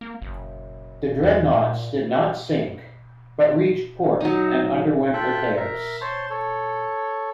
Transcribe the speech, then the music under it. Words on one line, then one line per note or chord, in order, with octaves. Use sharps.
The dreadnoughts did not sink, but reached port and underwent repairs.
A#3
F#1
E2
A#2
F#3 D#4
F4 A4 E5 G5 F#6
A#4 E5
C5 C#5 A5 C6
A4 C#5